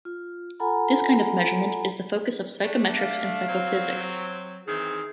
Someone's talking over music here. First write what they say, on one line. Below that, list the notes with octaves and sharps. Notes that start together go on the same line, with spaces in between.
This kind of measurement is the focus of psychometrics and psychophysics.
F4
F4 A4 F#5 G#5 A#5 B5
A3 D4
F5
F#3 C4
D#3 E3 C4 G#4